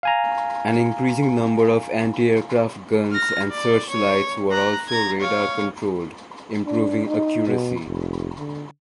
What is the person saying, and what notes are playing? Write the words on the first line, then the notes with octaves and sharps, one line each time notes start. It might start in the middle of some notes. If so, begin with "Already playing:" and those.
An increasing number of anti-aircraft guns and searchlights were also radar-controlled, improving accuracy.
F5 G#5 A#5
F6 A#6
D5
C#5
A#5 F#6
A#5 G#6
C#5 F5
D4
D#4
B2
F1
D3